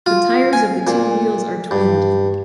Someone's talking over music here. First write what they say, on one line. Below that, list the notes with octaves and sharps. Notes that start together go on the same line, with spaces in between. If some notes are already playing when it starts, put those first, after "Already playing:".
The tires of the two wheels are twinned.
F4
G#5
A#2
G2